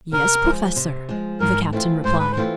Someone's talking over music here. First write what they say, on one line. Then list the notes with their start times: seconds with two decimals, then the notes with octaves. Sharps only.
"Yes, professor," the captain replied.
0.12 C3 A#4
0.44 F3 G#3
0.76 C3
1.09 F3 G#3
1.40 G#2 A#4
1.73 E3 A3 C4 F4
2.04 G#2 C5
2.18 B4
2.32 C5
2.37 E3 A3 C4 F4